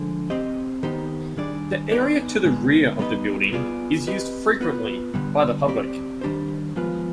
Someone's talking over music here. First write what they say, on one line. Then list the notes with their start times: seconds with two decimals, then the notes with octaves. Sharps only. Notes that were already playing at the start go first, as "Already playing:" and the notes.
The area to the rear of the building is used frequently by the public.
Already playing: D3 F3 G#3
0.30 C4 G4 C5 D#5
0.83 D#3 B3 D#4 G4 C5
1.37 D#3 G3 D4 G#4 D5
1.91 B3 D#4 G#4 D5
2.45 D3 G#3 B3
2.99 G3 B3 D#4 B4 D#5
3.53 B3 F4 G#4 D5
4.07 C4 G4 B4 D#5
4.61 B3 F4 B4
5.14 D3 G3 B3
5.68 C4 G4 D5
6.21 D#3 G3 D4 G4 C5
6.76 F3 G#3 B3 F4 B4